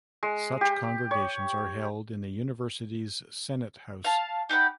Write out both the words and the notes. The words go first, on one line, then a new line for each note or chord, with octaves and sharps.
Such Congregations are held in the University's Senate House.
G#3
G4
C#5
F5 A5
D#4 G4 F#5 B5